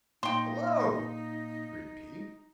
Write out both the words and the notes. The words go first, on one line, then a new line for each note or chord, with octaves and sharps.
"Hello!" greeted he.
A#2 D#4 G5 C6